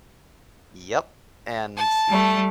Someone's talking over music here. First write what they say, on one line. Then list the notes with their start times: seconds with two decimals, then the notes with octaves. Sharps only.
Yep, and
1.77 A5
2.08 G3 A3